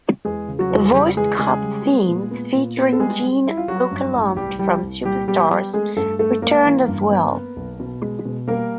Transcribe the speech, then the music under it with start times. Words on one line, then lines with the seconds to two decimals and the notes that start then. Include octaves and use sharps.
The voiced cut scenes featuring Gene Okerlund from "Superstars" returned as well.
0.25 E2 G#3 G#4
0.48 C#3
0.59 F#3 F#4
0.70 E2
0.85 G#4
0.93 C#3 G3 G4
1.17 E2 G#3 G#4
1.39 C#3 G#3 G#4
1.63 G3
1.85 B3
2.09 A#2
2.31 B3
2.54 A#2
2.77 B3
2.93 A4
2.99 G3 G#3 G#4
3.22 G3
3.46 G3 E4
3.57 F4
3.68 F#3 G3 F#4
3.91 G2
4.14 A1
4.36 C2 G3 G4
4.59 G3 G4
4.82 C2
5.05 A#2 G3 G4
5.28 G3 B3 G4
5.50 G3 B3 G4
5.73 G#3 A3 G#4
5.96 G2 A3 A4
6.19 A3 A4
6.42 G#1 A#3 A#4
6.65 E3
6.88 G2
7.11 B3
7.33 B3
7.56 B1
7.80 B2
8.02 G#3
8.25 B2
8.48 G3 A#3 A#4